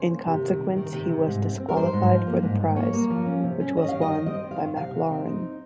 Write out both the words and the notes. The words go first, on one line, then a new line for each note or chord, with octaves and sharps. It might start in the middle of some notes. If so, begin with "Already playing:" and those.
In consequence he was disqualified for the prize, which was won by Maclaurin.
Already playing: C#3 C5
A#3
C3
D#3
C3
D#3
C3
C3
G#2
C4
C4
A#4
D#4 C5
G#2
F3
A#3
G#2
G#2
A#3 C#5
A#3
F3
C#4
C3
C#4
C#4 D#5
F5
D#3
D#5
D#3
C4 D#5
D#3
F5
D#3
C3 F5
C3
C4
D#4